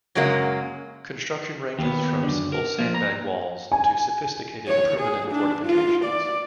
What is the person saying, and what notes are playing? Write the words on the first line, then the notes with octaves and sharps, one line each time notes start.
Construction ranges from simple sandbag walls to sophisticated, permanent fortifications.
F#2 C#3 F#3 G#3 A#3
D#2 B3
F#2 D3
A#4
F3 A#3
A#5
G#5
C#5
G#4
D4
F4
D5